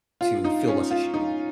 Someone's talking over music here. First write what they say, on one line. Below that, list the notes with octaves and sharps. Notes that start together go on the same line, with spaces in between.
to feel less ashamed?
F4
D#4
C#4
F4
D#4